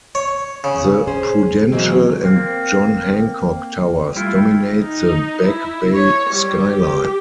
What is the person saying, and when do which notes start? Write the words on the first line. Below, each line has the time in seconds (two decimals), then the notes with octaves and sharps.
The Prudential and John Hancock towers dominate the Back Bay skyline.
0.15 C#5
0.64 C#3
1.07 C#4 G#4 C5
1.72 B2 E3 F#3 G#3 A#3 C4
2.24 A#3 C4
4.16 G3 A3 E4 F4
4.82 D#4
5.41 E4
5.94 C#5
6.30 G3
6.71 G4